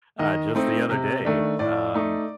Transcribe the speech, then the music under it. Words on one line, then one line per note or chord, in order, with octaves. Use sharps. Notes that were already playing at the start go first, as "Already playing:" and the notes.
uh, just the other day, um,
D#3 D#5
A3 C4 D#4
C3
D#3 A3 D4
A2 D5
A3 D#4